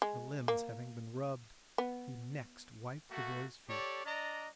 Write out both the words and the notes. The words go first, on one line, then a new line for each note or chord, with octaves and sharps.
The limbs having been rubbed, he next wiped the boy's feet.
G#3
A#3
B3
A3 A#3 F#4
G4 A4 C#5 D5
D4 D5 D#5 A#5